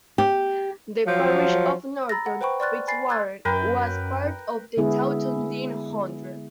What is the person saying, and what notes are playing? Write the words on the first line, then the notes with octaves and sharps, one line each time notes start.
The parish of Norton Fitzwarren was part of the Taunton Deane Hundred.
G4
F3 F#3
A#5 B5 E6 A6 A#6
F#5
B4 C5 G5 B5 C#6
D5 C6 C#6 F6 F#6 A6
G#5 B5 A6 C7
C6 E6 F#6 G#6 A6
F#2 A#4 B4 G5
D3 G#3 B3 E4 G#4